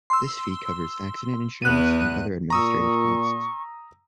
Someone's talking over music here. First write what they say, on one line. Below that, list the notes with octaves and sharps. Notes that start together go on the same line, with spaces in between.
This fee covers accident insurance and other administrative costs.
C6 E6
E2 B3 F#6 D#7
A#2 A#5 C#6 D#6 E6